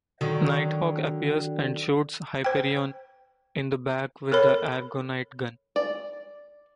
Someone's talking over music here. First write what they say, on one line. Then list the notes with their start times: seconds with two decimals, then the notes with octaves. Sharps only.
Nighthawk appears and shoots Hyperion in the back with the Argonite gun.
0.21 D3 D#3 F#3
2.44 C5 G5
4.32 A4 A#4 C#5 B5
5.76 D5